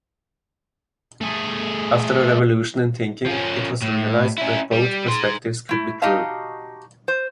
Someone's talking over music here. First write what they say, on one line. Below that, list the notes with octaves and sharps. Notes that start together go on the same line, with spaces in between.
After a revolution in thinking, it was realized that both perspectives could be true.
A3 G#4
F3 C#4
A2
C#4 E4
G3
D#4 C6
A3 E4
D#4 F#4 G4 D#5 F5 A5
C5